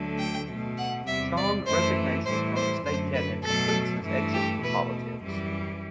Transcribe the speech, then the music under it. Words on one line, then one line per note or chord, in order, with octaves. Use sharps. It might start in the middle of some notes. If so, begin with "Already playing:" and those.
Chong resignation from the state cabinet completes his exit in politics.
Already playing: D2 D3 F#3 A3
G5
B2 A3
F#5
E2 C3 G3 E5
D5
F#2 E3 A3 C5
A2 E3 G3 C5
C5
F#2 D3 F#3 A3 C5
B4
B2 F#3 A3 A4
G2 E3 A3
G4
B2 A3 B4
F#2 E3 G3